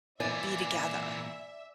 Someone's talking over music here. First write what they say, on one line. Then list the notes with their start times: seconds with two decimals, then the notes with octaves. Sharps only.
be together,
0.20 A#2 E3 D5 E5 G#5